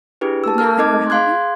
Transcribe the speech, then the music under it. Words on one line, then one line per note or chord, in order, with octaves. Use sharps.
"But now you are happy?"
D4 E4 G4 G#4 B4
A5 E6
A4 A#4 A5 F6
A3 C4 D#4 D#5 D6 G#6
G#4 F5 C6 F#6 G#6